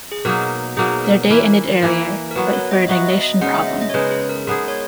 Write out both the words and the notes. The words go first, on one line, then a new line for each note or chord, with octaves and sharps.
Their day ended earlier, but for an ignition problem.
G#4
B2 F#3 A#3 D#4 A#4
B2 F#3 A#3 D#4 G#4
A#4
E3 A#3 E4 A#4
E3 A#3 E4
A#4
F#3 B3 F#4 B4
C#5
D#5
F#3 B3 F#4 E5
D#5
D#5
C#3 G#3 D#4 F#5
E5
D#5
D#5
C#5
C#3 G#3 D#4 B4
G#4
A#4
G#3 B3 D#4 G#4 A#4
C#5